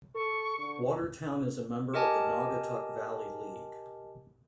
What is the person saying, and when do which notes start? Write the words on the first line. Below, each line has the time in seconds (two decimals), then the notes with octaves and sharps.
Watertown is a member of the Naugatuck Valley League.
0.15 A4 C#6
0.58 D3
1.94 G4 A#4 D#5 G#5 A5